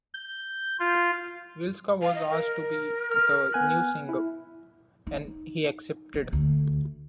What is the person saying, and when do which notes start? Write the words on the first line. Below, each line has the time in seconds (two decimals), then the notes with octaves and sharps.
Wilska was asked to be the new singer, and he accepted.
0.14 G6
0.80 F4
2.02 F5
2.15 D#5
2.31 A#4
3.12 F6
3.53 B3 G#5 F#6
4.09 E4
5.07 D#4
6.14 F#3
6.33 D2